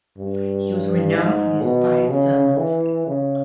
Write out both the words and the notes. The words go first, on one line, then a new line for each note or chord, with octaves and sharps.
He was renowned for his "spiced sermons".
G2
G#2
B2
C#3
E3
C#3